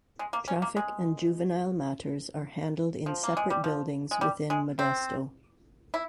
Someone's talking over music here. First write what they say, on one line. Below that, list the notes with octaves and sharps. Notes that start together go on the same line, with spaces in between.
Traffic and Juvenile matters are handled in separate buildings within Modesto.
G#3
A#3
C#4
A#3
G#3
F3
A#3
G#3
G3
F3
G#3
G3
G#3
C4
E4